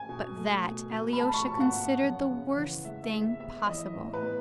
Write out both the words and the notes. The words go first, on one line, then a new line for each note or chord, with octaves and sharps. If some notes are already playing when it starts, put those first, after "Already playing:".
But that Alyosha considered the worst thing possible.
Already playing: G#5
B2
A3
B2
B2
B5
A3 A5
B5
C#6
B2 A5
F#5
B3
F#2
C#3
E2
G#3 E5
E5
G#3
E5
B3 E5
E3 D#5
A2
B4
B3